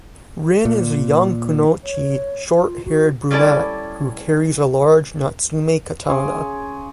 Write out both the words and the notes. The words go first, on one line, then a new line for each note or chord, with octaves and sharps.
Rin is a young kunoichi short-haired brunette who carries a large Natsume katana.
A#2
C#5
F4
F#4
G3 C#4 E4 A4 D5
C#3 G#4 C6 D6